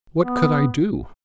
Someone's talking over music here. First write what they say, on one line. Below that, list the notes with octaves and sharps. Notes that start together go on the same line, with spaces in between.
What could I do?
B3